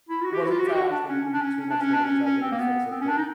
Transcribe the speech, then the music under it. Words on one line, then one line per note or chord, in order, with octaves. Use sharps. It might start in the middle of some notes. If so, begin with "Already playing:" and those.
It wasn't fast, it didn't do too much damage, I was able to fix it, but,
E4
F4
F#4
G4
F#4
E4
F4
F#4
G4
F#4
D4
C#4
C#4
D4
C#4
C#4
D4
C#4
D4
C#4
C#4
C4
A#3
B3
C4
C#4
D4
D#4